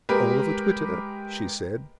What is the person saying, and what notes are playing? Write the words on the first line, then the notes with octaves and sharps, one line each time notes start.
"All of a twitter," she said.
G#3 G4 A#4 B4